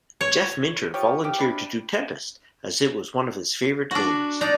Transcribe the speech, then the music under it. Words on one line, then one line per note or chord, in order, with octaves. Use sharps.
Jeff Minter volunteered to do "Tempest" as it was one of his favorite games.
C#5
F3 G4 C#5
C#3 G4
C3 D4 B5
D4 F#4
D4 D#4 D5 A#5